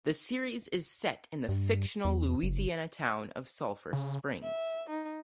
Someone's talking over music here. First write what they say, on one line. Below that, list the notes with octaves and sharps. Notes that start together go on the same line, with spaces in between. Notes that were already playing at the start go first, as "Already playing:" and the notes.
The series is set in the fictional Louisiana town of Sulphur Springs.
G2
E2
F#1
C#3
E5
D#4